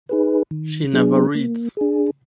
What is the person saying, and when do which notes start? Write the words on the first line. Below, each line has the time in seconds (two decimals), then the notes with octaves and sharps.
She never reads.
0.09 D#4 G#4 B4
0.51 D#3
0.93 F#3 B3 D4 G#4
1.35 A#3
1.77 D4 G#4